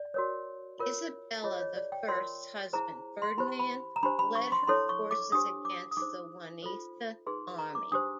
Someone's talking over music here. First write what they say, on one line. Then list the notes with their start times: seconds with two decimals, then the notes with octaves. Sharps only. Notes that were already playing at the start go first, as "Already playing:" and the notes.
Isabella the First's husband Ferdinand led her forces against the Juanista army.
Already playing: D5
0.14 F#4 A#4 C#5
0.79 F4 A#4 C#5
1.43 F4 G#4 C#5 D#5
1.60 C#5
1.76 D5
1.92 G5
2.08 F4 A#4 C#5 C6
2.73 E4 G#4 C5 A#5
3.22 C6
3.38 E4 G4 C5 B5
3.60 B5
3.96 A#5
4.03 D4 G4 C5 B5
4.19 B5
4.35 C#6
4.52 C6
4.67 E4 A4 C#5 C6
4.89 C#6
5.11 D6
5.32 D4 G4 C5 D#6
5.65 D6
5.91 D#6
5.97 D#4 G#4 C5 D6
6.62 F4 A4 C5
7.27 D#4 G#4 B4 C6
7.59 A#5
7.75 D6
7.92 D4 G4 C5 D#6